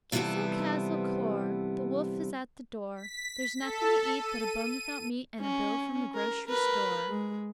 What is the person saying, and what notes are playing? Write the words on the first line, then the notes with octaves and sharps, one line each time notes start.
"Kizzle-kazzle-kore; The wolf is at the door, There's nothing to eat but a bone without meat, And a bill from the grocery store."
C3 E3 F3 G3 B3 A4
B6
A4
D#7
C#4
A#4
A#4 B4
G#3